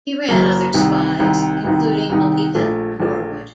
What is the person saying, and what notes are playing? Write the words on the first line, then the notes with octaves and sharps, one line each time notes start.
He ran other spies, including Melita Norwood.
F#1 F#2 F#3 A#3
C2 C3 D#3
C2 C3 D#3
C2 C3 D#3
C2 C3 D#3
A#1 A#2 A3
A#1 A#2 A3